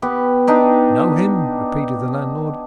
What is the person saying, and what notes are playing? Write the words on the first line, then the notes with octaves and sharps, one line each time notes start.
"Know him!" repeated the landlord.
B3 G4
D4 D#4 G4